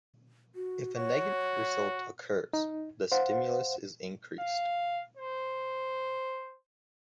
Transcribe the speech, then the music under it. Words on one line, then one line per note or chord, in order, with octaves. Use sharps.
If a negative result occurs, the stimulus is increased.
F#4
F#4 C#5
D#4
C5 F5 F#5
F5
C5